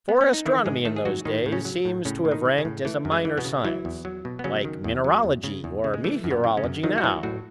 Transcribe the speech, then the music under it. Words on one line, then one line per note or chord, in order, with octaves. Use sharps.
For astronomy in those days seems to have ranked as a minor science, like mineralogy or meteorology now.
B3
C#4
D#4
D#3 E3 E4
G#2 G#3 G#4
D#3 A3 A4
G#4
G#2 F#3 F#4
A2 D#3 D#4
A2
C#3 C#4
F#3
A2
A2 C#3 C#4
A2
D#3 D#4
E3
C#3 C#4
A2
E3 A3
F#2
G#3 G#4
E3
B2 B3
C#3
E3 F#3 E4
E2
F#3
B2
B3
C#3 F#3 C#4
D#3
E2
F#3
E2
C#3
E2
C#3
G#3
E3 A3
F#2
B2 B3
E3
C#3 C#4
F#2
D#3 F#3 D#4
F#4
E3 F#3 E4
A2 F#3 F#4